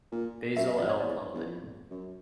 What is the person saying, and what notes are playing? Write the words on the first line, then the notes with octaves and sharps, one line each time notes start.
Basil L. Plumley.
A#2
F#2 E5
D#5
F2 D5
C#5
E2 D5
E2
F2
F#2